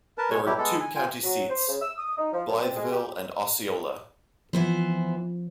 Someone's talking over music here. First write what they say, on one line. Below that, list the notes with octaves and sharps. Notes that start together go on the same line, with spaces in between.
There are two county seats, Blytheville and Osceola.
A#4 B4 A5
B2 G#3 C#5
B2 F#3 G3 E4 G4
G#3 B3 A4
G#5
F4 G5 G#5
F#3
C5
C#3
E6
D#6
D#4
F3
F#2
C4
G#3
G4
E3 F3 B3 C5